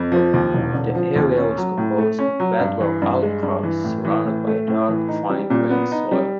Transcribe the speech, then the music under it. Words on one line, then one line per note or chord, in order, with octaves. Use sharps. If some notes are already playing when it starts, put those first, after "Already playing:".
The area was composed of bedrock outcrops surrounded by dark, fine-grained soil.
Already playing: F2
F3
D#2
E1
D3
F3
D#2
C#4
F#3
A2
A3
C#4
F#3
G2
E3
G2
G#3
G2
E3
A2
E3
A2
A3
A2
E3
D#4
G3
A#2
B3
D#4
G3